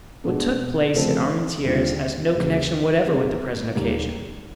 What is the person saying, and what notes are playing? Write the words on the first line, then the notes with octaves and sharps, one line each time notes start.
What took place at Armentieres has no connection whatever with the present occasion.
B2 G#3 B3 D4
C#3 F3 A3 C4
D#2 D3 G3 C4 F4
D#2 C#3 F#3
G3 C4 D#4 G#4 B4
D#2 D#3 G3 A#3